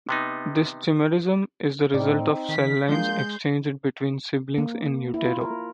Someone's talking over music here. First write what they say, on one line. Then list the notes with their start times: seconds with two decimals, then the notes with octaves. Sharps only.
This chimerism is the result of cell lines exchanged between siblings in utero.
0.09 C3 B3 D#4
1.94 A2 C4 D#4 D5
2.49 D#3 B6
2.89 F3 G#3 A#3 D4 C6 G6
4.58 A#3
5.14 E4
5.25 F4
5.41 A#4